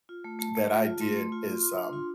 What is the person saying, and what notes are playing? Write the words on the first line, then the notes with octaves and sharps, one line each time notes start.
that I did is, um,
F4
A3
A3 A5
A3
F4
F4
A3 C6
A3
F4
F4
F4 C6
D4
C6
F4